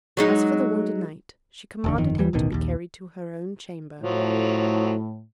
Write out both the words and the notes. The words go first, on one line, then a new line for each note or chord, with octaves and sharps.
As for the wounded knight she commanded him to be carried to her own chamber.
F#3 G#3 D#4
F1 D#2 D3
G1 F2 D#3
D#2 E3 G3
D1 A1 B2 D#3
A#1 D#2
A2 F3 F#3